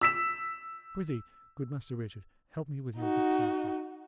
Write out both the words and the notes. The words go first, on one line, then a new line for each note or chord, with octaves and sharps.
Prithee, good Master Richard, help me with your good counsel.
E6 B6 E7
D#4 F#4